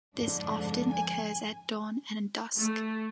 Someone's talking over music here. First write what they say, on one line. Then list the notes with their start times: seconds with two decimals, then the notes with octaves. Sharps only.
This often occurs at dawn and dusk.
0.16 F2 G#2 D3 D4
0.90 G#5
2.55 A3